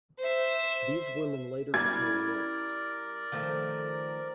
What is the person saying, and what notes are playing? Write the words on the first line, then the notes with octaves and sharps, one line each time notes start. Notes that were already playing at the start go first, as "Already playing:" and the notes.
These women later became nymphs.
C5 E5
G3 C#4 E4 A#4 D5 G#6
D#3 F3 A3